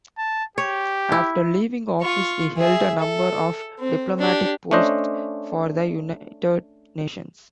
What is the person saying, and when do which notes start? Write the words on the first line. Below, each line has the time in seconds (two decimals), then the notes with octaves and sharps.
After leaving office, he held a number of diplomatic posts for the United Nations.
0.18 A5
0.58 G4 C#5
1.12 E4
2.02 F4 C#6
2.57 G#4 E5
2.99 A4
3.79 C4
4.19 D4 G4
4.71 A3 C#4 D4 C5 D#5